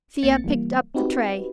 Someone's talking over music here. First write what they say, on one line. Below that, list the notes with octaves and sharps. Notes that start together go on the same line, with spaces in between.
Thea picked up the tray.
A#1 A#3 C4 A6 C#7
E3 G3 A#3
C4 D#4 F#4 G4 B4